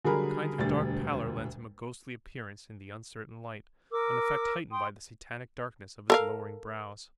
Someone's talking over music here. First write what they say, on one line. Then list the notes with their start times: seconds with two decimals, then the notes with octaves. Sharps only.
A kind of dark pallor lent him a ghostly appearance in the uncertain light, an effect heightened by the satanic darkness of his lowering brows.
0.05 D3 F#3 G3 G#4 A#4 B5
0.58 E1 D2 G3 A6
3.91 A#4 D6 E6
4.72 G5 C6 D#6
6.10 A4 A#4 F5